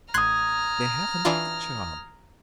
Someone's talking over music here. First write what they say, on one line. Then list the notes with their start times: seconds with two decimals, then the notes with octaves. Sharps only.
They haven't the charm.
0.14 A1 A#5 C6 D#6 F6 F#6 G#6
1.25 E3 D4 F4